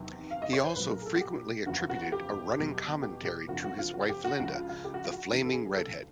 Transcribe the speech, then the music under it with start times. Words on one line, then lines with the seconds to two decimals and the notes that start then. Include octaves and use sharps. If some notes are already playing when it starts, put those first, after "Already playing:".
He also frequently attributed a running commentary to his wife Linda, "the Flaming Redhead".
Already playing: E2 C3 D#3 F#3
0.31 F5
0.42 D#5
0.53 C#5
0.64 C5
0.76 B1 A#2 F#3 B4
0.91 A#4
1.01 G#4
1.05 A4
1.15 F#4
1.21 G4
1.66 F#1 E2 C#3 F3 F#4
1.90 F#4
2.12 G4
2.58 E2 B2 F#3
3.02 G4
3.25 G4
3.48 F#1 F2 D3 F3 F#4
3.64 F#4
3.78 F4
3.93 F#4
4.09 G4
4.24 F#4
4.39 C#2 C#3 F3 F#4
4.55 F4
4.69 F4
4.84 G4
4.94 F#4
5.04 F4
5.13 F#4
5.31 D2 C#3 E3
5.44 A4
5.52 G#4
5.66 G#4
5.75 A4